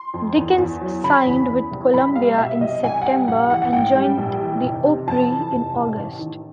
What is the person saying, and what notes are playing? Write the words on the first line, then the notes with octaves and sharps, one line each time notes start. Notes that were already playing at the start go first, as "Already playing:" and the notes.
Dickens signed with Columbia in September and joined the Opry in August.
Already playing: C6
F2
E2
E2
F#3
C#3 B5
E2
E2
C2
C2 B5
G3 F5
B2 E5
C2 D#5
C2 G#5
F#5
G3 G5
A#1 F#5
E3 F#5
F#5
G#2 G5
G3
A#1
E3
F1
C3
F2 A5
E3
F1
A1
A1
D#3